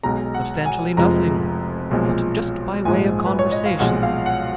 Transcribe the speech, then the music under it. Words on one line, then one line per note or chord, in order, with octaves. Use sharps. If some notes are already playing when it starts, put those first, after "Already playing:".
"Substantially nothing--but just by way of conversation."
B1 B2 G#3 A#5
F#5
G#5
F1 F2 F3 G#3 A#5
B1 A#2 F3 G#3
A#1 G#2 F3 G#3 G#5
B4
C#5
D#5
F5
B1 A#2 F3 G#3 F#5
F5
F#5